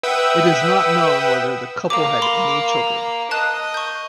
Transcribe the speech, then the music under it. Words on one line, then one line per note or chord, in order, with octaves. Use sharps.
It is not known whether the couple had any children.
B4 E5 F#5 G5 D#6 E6
A#3 D6 F7
B5 C6 D6
D#5 A5 F#6
C#6 G6